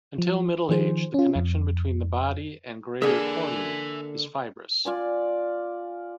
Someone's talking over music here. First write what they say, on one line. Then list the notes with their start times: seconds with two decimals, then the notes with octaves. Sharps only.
Until middle age the connection between the body and greater cornu is fibrous.
0.18 F3
0.69 D#3 F3 G#4 C5
1.14 C#4 F4
1.36 F2
3.02 D3 A#3 G#4 E5 G#5
4.85 F4 D5 G#5